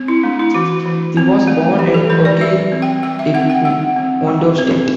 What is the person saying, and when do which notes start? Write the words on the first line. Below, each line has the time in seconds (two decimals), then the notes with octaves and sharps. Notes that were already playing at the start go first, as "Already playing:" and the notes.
He was born in Oke-Igbo, Ondo State.
Already playing: C4
0.08 E4
0.23 A3 D4
0.39 E4
0.54 E3 F#4
0.86 E3
1.17 C4
1.47 A3
1.79 E3 G4
1.94 A4
2.10 E3 B4
2.25 D5
2.41 G3 E5
2.72 C4
2.82 G5
3.03 G3 G5
3.19 E5
3.34 C4 F#5
3.50 G5
3.65 G3 F#5
3.96 C4
4.27 G3
4.58 C4